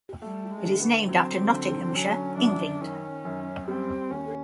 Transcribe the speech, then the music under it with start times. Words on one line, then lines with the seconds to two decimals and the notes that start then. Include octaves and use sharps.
It is named after Nottinghamshire, England.
0.22 G3 A3
0.51 G#3
0.65 D3
0.80 B3
1.09 F#3 C4
1.52 D3
1.95 F#3 C#4
2.37 F#2 D4
2.81 D#3 C#4
3.25 F#2
3.68 G3 C4
4.10 D#2 C#4